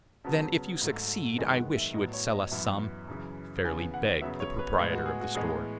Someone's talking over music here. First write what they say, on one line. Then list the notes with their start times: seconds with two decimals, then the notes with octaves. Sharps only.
"Then if you succeed I wish you would sell us some," fairly begged the proprietor of the store.
0.24 C#3 F#3 B3 A5
0.82 G#2 F#3 A3
1.38 F#2 D#3 G#3 B3 G#5
1.57 F#5
1.76 E5
1.94 A2 F#3 B3 D#5
2.13 C#5
2.33 D#5
2.51 F#2 E3 B3 E5
3.08 F#2 C#3 E3
3.64 C#3 E3 B3 G#5
3.94 F#5
4.21 C#3 F#3 B3 E5
4.40 C#5
4.59 B4
4.78 A2 G#3 B3 B4
4.93 F#4
5.06 G#4
5.21 F#4
5.34 A2 E3 G#3 B3 G#4